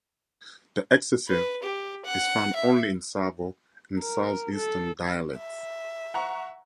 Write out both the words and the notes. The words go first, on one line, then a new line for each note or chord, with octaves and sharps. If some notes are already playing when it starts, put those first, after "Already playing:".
The exessive is found only in Savo and southeastern dialects.
B4
G4
F#5
E5
A#4
A4
E5
F#5 A#5 C#6